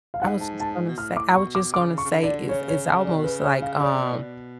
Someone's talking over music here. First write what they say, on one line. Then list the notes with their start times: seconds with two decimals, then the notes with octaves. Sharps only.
I was just gonna say I was just gonna say is it's almost like, um,
0.14 F5
0.22 G#2 F#5
0.40 A5
0.60 A5
0.88 B2
0.98 A2 F6
1.17 D6
1.35 B2 C#6
1.55 D6
1.73 C#3 D6
1.98 C#6
2.04 C#3
2.11 D3
2.23 D5
2.48 C#3 C#5
2.68 C#5
2.86 F5
3.05 D5
3.15 B2
3.24 C#3 B4
3.43 C#5
3.62 F5
3.81 D5
4.00 B2
4.11 A2
4.22 B2